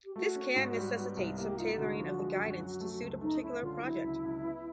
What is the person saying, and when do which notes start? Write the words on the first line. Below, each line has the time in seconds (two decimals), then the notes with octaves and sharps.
This can necessitate some tailoring of the guidance to suit a particular project.
0.05 G4
0.15 A3 F#4
0.36 C#4
0.56 G#2
0.76 G3
0.97 B3
1.17 C2
1.37 A#3 G4
1.58 D#4 F4
1.72 G4
1.78 D3 F#4
2.00 F3
2.19 G#3
2.40 F#2
2.60 F#3
2.80 A3
3.01 C#2
3.21 A3 D#4
3.42 C#4 E4
3.62 D3 F4
3.83 F#3 E4
4.04 C#2
4.25 C#2
4.44 B3